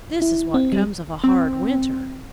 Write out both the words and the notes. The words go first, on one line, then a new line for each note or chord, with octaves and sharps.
"This is what comes of a hard winter."
E4
C4
G3
C4